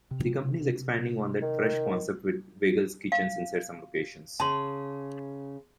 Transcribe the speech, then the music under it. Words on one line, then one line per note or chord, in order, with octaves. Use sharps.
The company is expanding on that fresh concept with Weigel's Kitchens inside some locations.
C3
D#3
F5
C#3 A5 C6